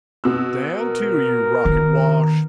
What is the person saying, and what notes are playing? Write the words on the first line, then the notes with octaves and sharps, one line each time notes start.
"Stand to, you rocket wash!"
B2 E6
A#4
D#3